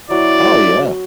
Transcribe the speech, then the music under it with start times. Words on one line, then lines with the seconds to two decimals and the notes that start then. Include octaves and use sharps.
Oh, yeah.
0.10 F#3 E4 D5